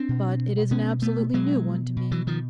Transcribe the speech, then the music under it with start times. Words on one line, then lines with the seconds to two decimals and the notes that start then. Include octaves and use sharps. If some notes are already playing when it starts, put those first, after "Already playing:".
'But it is an absolutely new one to me.
Already playing: C4 D4
0.09 B2
0.71 B2 B3 C#4
1.02 A3 B3
1.33 B2 F#3 G#3
1.97 B2
2.11 E3 F#3
2.27 D#3 F3